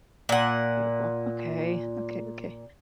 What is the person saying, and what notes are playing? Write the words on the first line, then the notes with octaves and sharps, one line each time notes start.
Beautiful. Okay. Okay, okay.
A#2 F#5